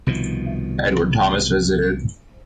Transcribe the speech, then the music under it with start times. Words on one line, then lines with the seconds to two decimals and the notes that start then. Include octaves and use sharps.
Edward Thomas visited.
0.07 C2 B2 D#3 F3